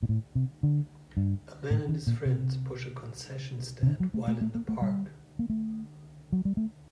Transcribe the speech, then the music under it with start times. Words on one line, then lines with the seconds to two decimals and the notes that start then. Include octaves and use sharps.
A man and his friend push a concession stand while in the park.
0.03 A#2
0.09 A2
0.35 C3
0.63 D3
1.17 G2
1.70 A2
1.89 D#3
2.07 A#2
2.25 C3
3.83 C3
3.87 D3
4.00 F#3
4.14 A3
4.28 A3
4.41 A3
4.55 A#3
4.69 A3
4.82 G3
5.39 A#3
5.50 A3
6.32 F#3
6.45 G3
6.57 A3